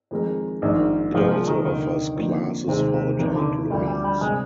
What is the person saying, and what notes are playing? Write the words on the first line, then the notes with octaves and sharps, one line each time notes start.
It also offers classes for adult learners.
F2 D#3 G#3 D#4 A#4
A#1 G#2 D#3
C2 A#2 F3 G#3
F3
D#3
F1 D#2 D3 D#3
F2 D3 F3 A#3
D#2 C3 D#3 G#3 C4
C3
F1 D#2 C3 D#3
D3
D2 D3 F3 G3
G3
G3
C3 G3 G#3 C4